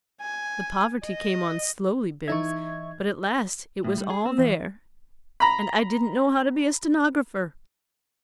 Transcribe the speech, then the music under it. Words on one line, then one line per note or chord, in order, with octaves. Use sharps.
The poverty came on slowly, Bibbs, but at last it was all there--and I didn't know how to be a stenographer.
G#5
D#5
E3 D#4 E5 C#6 G#6
A2
G3
G#4
C4
E3
A#5 B5